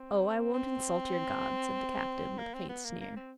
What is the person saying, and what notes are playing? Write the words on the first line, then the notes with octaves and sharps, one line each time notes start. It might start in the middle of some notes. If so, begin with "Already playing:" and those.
"Oh, I won't insult your God," said the Captain with a faint sneer.
Already playing: C4
C4
A#3
C4
B3
A#3
A#3
C4